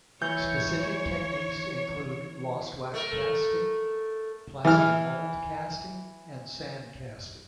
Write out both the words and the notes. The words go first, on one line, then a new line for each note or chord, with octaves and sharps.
Specific techniques include lost-wax casting, plaster mold casting and sand casting.
E3 C#5 G6
A3 A#4
E3 F6